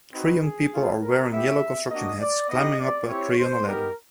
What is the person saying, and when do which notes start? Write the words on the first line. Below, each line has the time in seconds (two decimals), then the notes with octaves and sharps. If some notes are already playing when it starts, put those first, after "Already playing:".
Three young people are wearing yellow construction hats climbing up a tree on a ladder.
0.13 C4 D#4 F#4 B4
0.43 G#4
0.72 A3 C#4 F4
1.02 A#4
1.31 B3 E4 G4 E5
1.90 A#3 D4 F#4 D#5
2.20 D5
2.49 B3 D#4 G4 D#5
2.78 D5
3.08 C4 E4 G4 C#5
3.38 C5
3.67 B3 D#4 G4 A#4